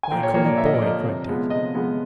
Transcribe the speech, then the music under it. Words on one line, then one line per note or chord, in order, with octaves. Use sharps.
"Why call me 'boy'?" cried Dick.
G#5
A#2 G5
C#5
F3 A#3 C#5
D5
A#2 E5
D#5
D5
F3 A#3 D#5
C3
F3 G#3 B3
C3 D#5
F3 G#3 B3